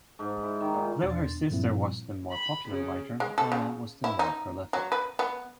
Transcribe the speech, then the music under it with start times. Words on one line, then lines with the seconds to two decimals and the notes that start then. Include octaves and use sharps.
Though her sister was the more popular writer, Anna was the more prolific.
0.19 G#2
0.43 E4
0.61 D#3
0.74 A#2
1.02 E2 B2 D4 C6 A6
1.50 G2 A#2 F3 G3 C4 E4
2.29 B5
2.67 C#3
3.20 G#3
3.38 A4
3.52 C#3
4.04 E4
4.19 D#4
4.73 F#3
4.92 B4
5.19 B3